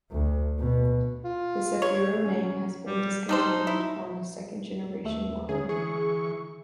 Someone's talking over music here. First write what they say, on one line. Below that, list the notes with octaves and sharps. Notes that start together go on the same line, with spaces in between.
The Cefiro name has been discontinued on the second-generation line.
D2
B2
F4
C#5
C#4
G3
G3 D4 D#4 C5
E4
D#2 A3 E5
D3 C#4 G#4
E3 G#4 C#6